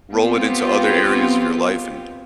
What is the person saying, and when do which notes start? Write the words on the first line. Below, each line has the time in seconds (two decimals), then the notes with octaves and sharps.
roll it into other areas of your life, and
0.13 B3 C4 F4 G4